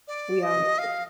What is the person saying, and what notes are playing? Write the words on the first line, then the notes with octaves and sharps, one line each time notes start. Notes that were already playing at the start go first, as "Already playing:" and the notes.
We all need it.
D5
D#5
F5